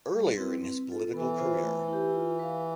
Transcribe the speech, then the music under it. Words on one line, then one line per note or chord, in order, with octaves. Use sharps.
Earlier in his political career.
G3
C4 E4 B4
C4
F4 A4
E3 B3
F4 C5
A3
E4 G4
F4
B4 F5